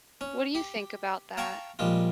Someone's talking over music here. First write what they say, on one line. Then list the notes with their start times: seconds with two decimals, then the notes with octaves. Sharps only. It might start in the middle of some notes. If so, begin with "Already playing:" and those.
What do you think about that?
0.21 C#4
0.55 G4
1.37 F5 G5 A5 A#5 C#6
1.79 A#1 G3 G#3 F4